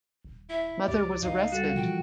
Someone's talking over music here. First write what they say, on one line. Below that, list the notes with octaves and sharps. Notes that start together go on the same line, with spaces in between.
Mother was arrested.
D#1
E4 E5
C#2 G4 D5
C#2 D#4 F5
G3 F#4 A4 A6
A#2 E3 F3 F4 G5